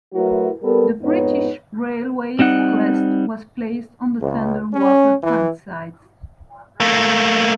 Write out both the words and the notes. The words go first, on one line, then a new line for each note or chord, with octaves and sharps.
The British Railways crest was placed on the tender water tank sides.
F#3 A3 E4 F#4 A#4 B4
G3 B3 A4 A#4
F2 G#2 B3 D#4 B4 C#5
G3 C4 D#4 F#5
C#2
C#4
E3
A3 A#3